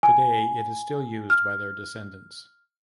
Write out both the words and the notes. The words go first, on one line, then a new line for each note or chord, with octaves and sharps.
Today, it is still used by their descendants.
G#5
F6